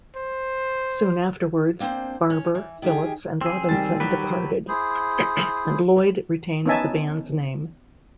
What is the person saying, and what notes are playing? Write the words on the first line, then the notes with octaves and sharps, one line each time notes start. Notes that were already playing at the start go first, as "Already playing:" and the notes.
Soon afterwards, Barber, Phillips and Robinson departed and Loyde retained the band's name.
C5
A#3 C4 D4 C5
C#4
E3
D#3 G4 G#4
C4 G#4 E6
D#3 G3 A6
F#3 G4 B4
E4 G#4 C5
B3 C#4 D#4 E5 G#5 A5